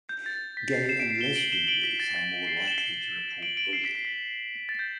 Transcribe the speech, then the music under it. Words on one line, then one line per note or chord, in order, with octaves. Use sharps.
Gay and lesbian youth are more likely to report bullying.
G6
A6
B6
C7
C7 E7
B6 D7
C7 E7
E7 G7
D7 F#7
E7 G7
D7 F#7
B6
A6
A6
C7
D7 F#7
E7 G7
D7 F#7
D7 F#7
C7 E7
B6 D7
C7
B6
A6
G6